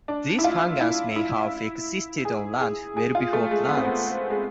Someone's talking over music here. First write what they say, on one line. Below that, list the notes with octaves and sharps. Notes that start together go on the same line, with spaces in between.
This fungus may have existed on land well before plants.
D4
E4
F4
E4
E4
G#4
G#4
G#4
F4
A3
G#3
B3
C4
B3
G#3